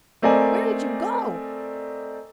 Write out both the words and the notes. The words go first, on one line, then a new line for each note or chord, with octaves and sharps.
"Where did you go?"
A3 C4 A#4 D5 D#5 G#5